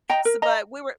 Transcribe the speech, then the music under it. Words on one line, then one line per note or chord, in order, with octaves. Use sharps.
s but we were
D#5 G5 A#5
A#4
D#5 A#5